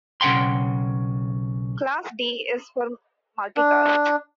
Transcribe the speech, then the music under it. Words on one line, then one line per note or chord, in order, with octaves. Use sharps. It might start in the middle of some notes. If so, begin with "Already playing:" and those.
Class D is for multicast.
B1 C#3 F#5 G5 C6
D4